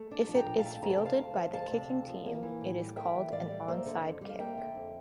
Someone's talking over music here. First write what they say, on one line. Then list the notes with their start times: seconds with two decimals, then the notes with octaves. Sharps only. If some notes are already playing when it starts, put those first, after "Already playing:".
If it is fielded by the kicking team, it is called an onside kick.
Already playing: A3
0.11 D4
0.27 F3 A5
0.35 G5 A#5
0.46 A#2
0.58 F5 A5
0.64 A3
0.82 D2 A#5
0.90 A5
0.98 C3 G5
1.05 F5 A5
1.18 D2
1.36 F3
1.53 D2 F5 A5
1.71 C3
1.89 D2
2.08 F3
2.26 A#3
2.43 E3
2.61 A2
2.79 G3
2.96 A#3 E5 G5
3.15 E3
3.32 A2 D5 F5
3.50 G3
3.68 A#3 C5 E5
3.86 D3
4.04 F2
4.21 G3
4.29 F5
4.39 A#3 E5 G5
4.57 D3
4.75 F2